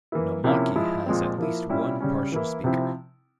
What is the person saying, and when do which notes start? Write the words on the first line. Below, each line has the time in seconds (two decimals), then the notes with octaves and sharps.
Nomlaki has at least one partial speaker.
0.12 E3 A#3 E4
0.44 C3 F3 A#3 C#4 E4
0.76 F3 G#3 E4
1.06 A#2 F3 G#3 C4
1.38 F3 A#3 E4
1.69 A#2 G3 C#4 E4
2.00 C#3 G3 C#4
2.32 E3 A#3 E4
2.64 C3 F3 C4 E4